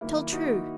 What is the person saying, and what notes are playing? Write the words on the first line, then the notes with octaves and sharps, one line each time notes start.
Tell true.'
D#3 F#3 A#3 E4
E4
D#4 F#4